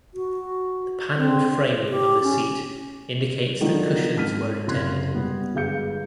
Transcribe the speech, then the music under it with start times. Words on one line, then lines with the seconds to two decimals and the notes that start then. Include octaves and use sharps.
The panelled framing of the seat indicates that cushions were intended.
0.14 F#4
1.17 C4
1.89 G4
2.23 C#4
3.60 D3 D#3 F3 F#3 B3 D4
4.16 G#2 C4 A5 F6 B6 D#7
4.67 F#1 C3 C6 F#6 G#6
5.14 G3 B3
5.55 G1 G#3 F5 G6 C#7